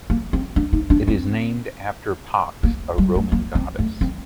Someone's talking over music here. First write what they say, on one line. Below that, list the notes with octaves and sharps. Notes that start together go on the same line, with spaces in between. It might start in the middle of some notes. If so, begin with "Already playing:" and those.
It is named after Pax, a Roman goddess.
A#3
C4
D4
D#4
D4
C4
A#3
G3
A3
A#3
C4
A3
C4